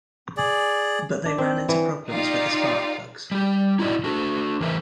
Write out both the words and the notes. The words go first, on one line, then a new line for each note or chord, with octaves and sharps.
But they ran into problems with the spark plugs.
G#4 D5
D4
C4
E3
D#4 F4 G4 D5 F5
G3 G4
D#4 E4 F#4 D5
D4 F#4 A4
E2 E3 A#4 C5 E5